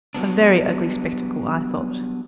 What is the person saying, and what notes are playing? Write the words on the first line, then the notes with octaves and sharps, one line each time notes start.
A very ugly spectacle, I thought.
F#3 G3 B3 D4